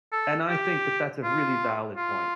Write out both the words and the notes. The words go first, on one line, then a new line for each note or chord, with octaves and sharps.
And I think that that's a really valid point.
A4
G4
F4
F4